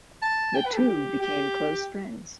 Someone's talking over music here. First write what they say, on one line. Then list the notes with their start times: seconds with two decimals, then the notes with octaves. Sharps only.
The two became close friends.
0.22 A5
0.55 G5
0.65 B4
0.73 A4
0.77 G4
0.88 G4
1.21 G4